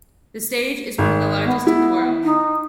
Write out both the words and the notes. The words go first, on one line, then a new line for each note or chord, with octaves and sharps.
The stage is one of the largest in the world.
G#1
B3
E4
D#4